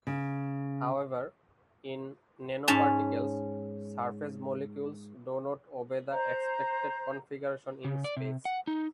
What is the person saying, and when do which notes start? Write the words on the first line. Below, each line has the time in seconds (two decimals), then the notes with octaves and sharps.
However, in nanoparticles, surface molecules do not obey the expected configuration in space.
0.07 C#3
2.68 G#2 C#4 A5
6.10 C5 A#5
7.85 C#3
8.04 D5
8.17 C3
8.45 F#5
8.67 D#4